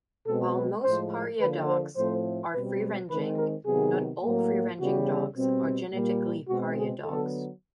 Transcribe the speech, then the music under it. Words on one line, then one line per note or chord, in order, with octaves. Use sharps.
While most pariah dogs are free-ranging, not all free-ranging dogs are genetically pariah dogs.
B2 G#3 C4 A4
B4
A2 F3 G#3 C5
D3 F3 A#3 B4
C5
A2 F3 A3 C4 C5
B2 G3 C4 B4
D#3 G#3 C4 B4
A#4
C3 D#3 F#3 B3 G#4
A2 F#3 A#3
C#3 E3 G3 B3 F#4
B2 G3 C4
A#2 G3 A#3
B2 G#3 C4 F#4
G#4
D3 F#3 B3 A4